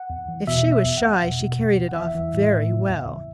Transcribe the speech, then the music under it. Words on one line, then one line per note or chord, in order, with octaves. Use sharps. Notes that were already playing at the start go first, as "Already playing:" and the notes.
If she was shy, she carried it off very well.
Already playing: F#5
E2
E3
B2 E5
B2
E5
E2
F#5
E2
B2
B2
E2
E2
F#5
E3 E5
E3
A2
A2
C#3
E2
E2